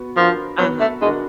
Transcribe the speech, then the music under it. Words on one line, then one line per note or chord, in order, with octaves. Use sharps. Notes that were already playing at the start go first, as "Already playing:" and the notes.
Uh-huh. Uh-huh.
Already playing: B3 F#4
F3 D4 F#4 A#4
F#3 B3
A3
G#3 D4 F#4 A#4